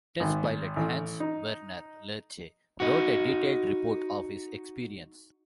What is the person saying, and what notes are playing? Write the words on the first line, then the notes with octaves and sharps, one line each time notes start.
Test pilot Hans-Werner Lerche wrote a detailed report of his experience.
G#1
A1
D#4
D#4 F#4